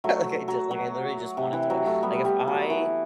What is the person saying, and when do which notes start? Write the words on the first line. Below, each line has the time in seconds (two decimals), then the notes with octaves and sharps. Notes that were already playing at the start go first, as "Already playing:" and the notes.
like, I just like, I literally just want it to wo like, if I
0.04 F#3 A3
0.48 F#3
0.71 F#3
1.37 C3
1.53 E3
1.70 F#3
1.86 F#3 A3
2.03 G3 B3
2.25 G3
2.48 F#3
2.70 E3